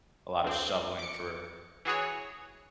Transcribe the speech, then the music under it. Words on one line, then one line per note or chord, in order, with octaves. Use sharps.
a lotta shoveling for
D2 C4
D6 C#7
E3 F#4 G#4 C#5